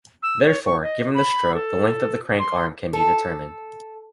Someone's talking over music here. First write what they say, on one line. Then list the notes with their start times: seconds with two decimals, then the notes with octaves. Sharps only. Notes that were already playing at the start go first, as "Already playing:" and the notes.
Therefore, given the stroke, the length of the crank arm can be determined.
0.23 E6
0.44 C#5
0.66 C#6
0.82 D#5
1.14 B5
1.54 A4
2.39 C6
2.93 A4